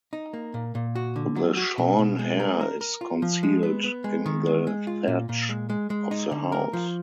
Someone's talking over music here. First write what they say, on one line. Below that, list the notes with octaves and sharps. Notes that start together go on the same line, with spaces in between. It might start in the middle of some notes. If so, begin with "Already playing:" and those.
The shorn hair is concealed in the thatch of the house.
D#4
A#3
A#2
A#2
F#4
D3
F#3
F#4
B2
B2
G#3
A#4
A#4
A#4
F4
F3
G#3
B3
B3
G#3
D#3
G#3
G#3
F4
A#2
A#2
G#3
G#3
G#3
D#4
D3
A#4
F3